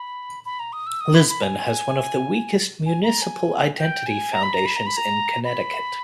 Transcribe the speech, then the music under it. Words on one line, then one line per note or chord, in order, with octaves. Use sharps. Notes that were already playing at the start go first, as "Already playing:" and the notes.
Lisbon has one of the weakest municipal identity foundations in Connecticut.
Already playing: B5
B5
A#5
D#6
E6
D#6
B5
B5
G#5
G#5
A#5
G#5
G5
G#5
A#5
B5
A#5
B5
A#5
B5
A#5
B5